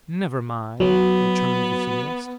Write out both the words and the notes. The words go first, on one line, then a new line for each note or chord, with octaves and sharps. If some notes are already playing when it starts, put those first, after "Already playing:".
"Never mind," returned the humorist.
F#3 B3